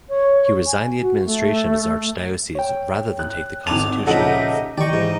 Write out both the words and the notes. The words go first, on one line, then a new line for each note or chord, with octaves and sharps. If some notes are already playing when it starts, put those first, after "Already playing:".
He resigned the administration of his archdiocese rather than take the constitutional oath.
C#5
G#5
F#4
A3
C#5 G5
F#6
G#1 G#5 A5 D6 F7
A#2 C#3 F3 D#4 G4 A4 E5 F#5
D#3 E3 D#4 G4 D5 C#6
G#2 E3